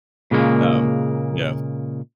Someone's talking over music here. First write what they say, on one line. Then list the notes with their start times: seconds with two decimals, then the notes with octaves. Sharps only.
Um, yeah.
0.31 A#2 C#3 G#3 A#3